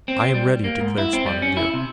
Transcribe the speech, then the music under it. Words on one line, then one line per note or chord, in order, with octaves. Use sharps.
"I am ready," declared Spotted Deer.
C4
C4
G3
A#3
G#2
E4
C4
G3
C#4
E4
C3